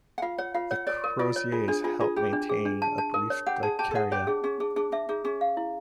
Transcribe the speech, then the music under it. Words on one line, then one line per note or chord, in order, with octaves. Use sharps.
The croziers help maintain a brief dikaryon.
F#5
F4 F5
C#5 F#5
F4 F5
C#5 F#5
C#5 D5
A#4
F4 D5
C#5
F4 G#4
D4 G#4
F4 G#4
F4 G#4
G4 G#4
D4
G#4
D4
A5
A5
A#4
C#5
G4 F#5
G#4 A5
G4 A5
A4
G#4 F#5
G4 C#5
D4 G#4
C#4 G#4
D4 G#4
D4 G#4
D4 E5
D#4 G#4
C#4 G#4
F5
E4